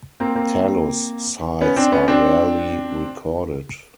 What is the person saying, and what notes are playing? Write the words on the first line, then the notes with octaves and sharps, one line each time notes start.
Talus sites are rarely recorded.
A#3 C4
A#3 C4
B3 C#4
C4 D4
B3 C#4
C4 D4